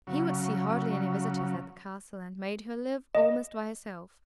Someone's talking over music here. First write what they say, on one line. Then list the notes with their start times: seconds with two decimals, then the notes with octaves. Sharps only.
He would see hardly any visitors at the castle, and made her live almost by herself.
0.07 C#3 F#3
3.15 D#5